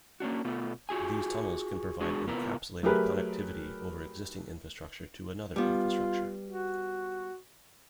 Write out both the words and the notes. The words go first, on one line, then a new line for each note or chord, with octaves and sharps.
These tunnels can provide encapsulated connectivity over existing infrastructure to another infrastructure.
A#3 C#4 D4 F#4
B2 A3 B3 F4
F4 F#4 G#4 G#5
G#3 D4 F#4 G#4
C3 B3 E4 F4 A#4 B4
F#3 A3 G4 G#4 A#4 B4
G3 B3 F4
F#4